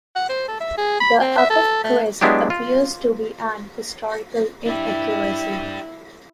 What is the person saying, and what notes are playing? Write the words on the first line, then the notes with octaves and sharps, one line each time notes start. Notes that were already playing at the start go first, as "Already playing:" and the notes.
The above crest appears to be an historical inaccuaracy.
F#5
C5
A4
E5
G#4
B5
C4
E5
A4
A3
F#3 G#3 B3 D4 E4 G4
F4
D4 E4 G4